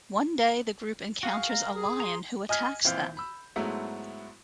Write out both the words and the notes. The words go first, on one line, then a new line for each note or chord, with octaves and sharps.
One day the group encounters a lion who attacks them.
F#4 G#4 F5
A#4 A#5
G#4
A#5 C6
D#5 G#5 F6 G#6 B6
A#1 E3 C4 F5 G6
B5 E6
G#2 F#3 G#3 A3 B3 E4